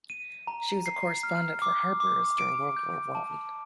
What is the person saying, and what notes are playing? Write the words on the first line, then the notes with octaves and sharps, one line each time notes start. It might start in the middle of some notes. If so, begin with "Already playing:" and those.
She was a correspondent for "Harper's" during World War One.
D#7
A#5
C7
F6
D6
D6
D7
G6
A5